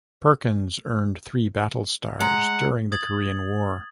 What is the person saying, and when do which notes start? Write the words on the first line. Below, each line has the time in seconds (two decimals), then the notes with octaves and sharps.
"Perkins" earned three battle stars during the Korean War.
2.20 G#3 F#5 A#5
2.92 D#6 G#6 A6 F#7